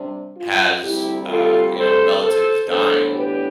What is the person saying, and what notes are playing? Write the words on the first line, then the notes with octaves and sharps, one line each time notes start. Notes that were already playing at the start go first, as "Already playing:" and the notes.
has, uh, you know, a relative is dying,
Already playing: C3 G3 D4
F4
D2 C3 G3 E4 G4
F4 A4
A4 C5
A4 C5
A2 E3 B3 D4 A4 C5
G4 B4